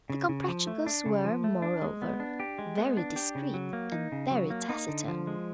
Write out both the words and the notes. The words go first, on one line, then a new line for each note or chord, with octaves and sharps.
The Comprachicos were, moreover, very discreet and very taciturn.
C#3
C#3
F3
A3
D4
C#3
F3
A3
D4
G#3
B3
D4
G4
G#3
B3
D4
G4
C#3
F#3
A#3
D#4
C#3
F#3
A#3
D#4
D3
F3
G#3